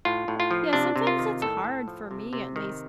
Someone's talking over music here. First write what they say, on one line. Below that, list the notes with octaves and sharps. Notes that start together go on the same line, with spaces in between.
Yeah, sometimes it's hard, for me, at least,
A2 F4
A2
F4
F3
C3 D4
C3
F4
D#3
A2 A4
A2
F3
C3
C3
D#3